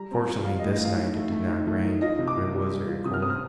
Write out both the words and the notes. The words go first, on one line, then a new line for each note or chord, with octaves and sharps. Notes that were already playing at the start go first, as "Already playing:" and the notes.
Fortunately this night it did not rain, but it was very cold.
Already playing: G3 A#5
C4 A#5
A5
F4
G3 F5
D#5
A2
D#5
A2 F5
D#4
A3
A3
D#4
A3
D#4
F4 D#5
C3
D6
F4
G3
G3
F4
C3 D#6
F6
C4 D#6
F6